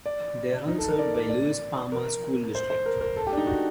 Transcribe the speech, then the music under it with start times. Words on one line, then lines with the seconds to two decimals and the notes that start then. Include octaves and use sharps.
They are all served by the Lewis-Palmer School District.
0.06 D5
0.68 D#4
0.78 A4
0.88 A#4
0.99 D5
1.14 D5
1.30 D5
1.92 A#4
2.55 C5
2.70 C5
2.86 A#4
3.01 A#4
3.17 A4
3.27 G4
3.33 D4
3.37 D#4
3.47 F#4